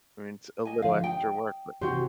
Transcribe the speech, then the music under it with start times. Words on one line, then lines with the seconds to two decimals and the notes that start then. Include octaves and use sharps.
I mean, it's a little extra work, but
0.65 D#5 G#5
0.82 D3 F3 F5
1.04 D#5 G5
1.81 C3 E3 F#4 G4 C5